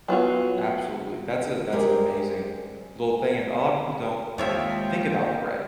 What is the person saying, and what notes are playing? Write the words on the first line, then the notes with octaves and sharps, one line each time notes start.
Absolutely, that's a that's an amazing little thing, and a lotta people don't, like, think about the bread,
F#3 B3 F4 F#4
G#3 G4 G#4 A#4 C5 D5
B3
D#2 C3 F3 G#3 F4 C#5 E5 G5